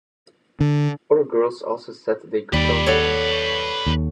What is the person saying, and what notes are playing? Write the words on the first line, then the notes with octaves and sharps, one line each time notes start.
Other girls also said they could talk to him.
D3
D#2 G3 B4 D5
F#4 A4 C#5
D#2